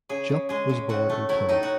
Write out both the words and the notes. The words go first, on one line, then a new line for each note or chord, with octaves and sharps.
Jupp was born in Plymouth.
C#3 G#4
C#3
G#3 G#4
C#3
A2 F#4
A3
F#3 E4
A2 D#4
F#4